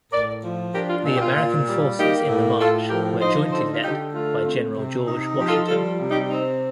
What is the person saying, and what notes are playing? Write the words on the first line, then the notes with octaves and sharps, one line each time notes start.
The American forces in the march were jointly led by General George Washington.
A2 A#4 D5
F3
D4 G4 A#4
F4
A#2 D#4
G4
F4
A#2
G3
A#3 D#4 G4
A2
A2 F4 A4
F3 G4 A#4
D#4 C5 D#5
D3 A4 C5
F4
D3 D#4 G4
A3 F4
C4
C3
D#4
F3 G4
F4 A4
G3 F4 A4
C3
D#4 G4
C4 D#4